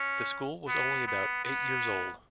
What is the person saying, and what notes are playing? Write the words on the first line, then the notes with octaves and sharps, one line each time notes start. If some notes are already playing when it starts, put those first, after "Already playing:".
The school was only about eight years old.
Already playing: C#4
B3
B3
B3